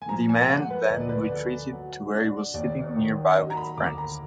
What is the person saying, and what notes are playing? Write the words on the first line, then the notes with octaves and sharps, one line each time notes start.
The man then retreated to where he was sitting nearby with friends.
G#5
F3 A#5
G#5
G#3 F#5
B4
D2 D#5
D5
B4
D5
D3
F#3
D4
D#2 D5
D#3
F#3 D#5
A#5
B5
D2 D6
A#5